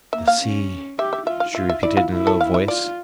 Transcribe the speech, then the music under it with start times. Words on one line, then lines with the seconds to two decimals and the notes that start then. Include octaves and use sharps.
"The sea," she repeated in a low voice.
0.13 A#3 E5
0.28 F5
0.41 C#4
0.99 G4 E5
1.13 E5
1.27 F4 E5
1.40 F5
1.55 F4 E5
1.69 E5
1.83 E4 D5
1.97 F4
2.12 E4
2.27 A4
2.41 F5
2.54 E5
2.68 F4 D5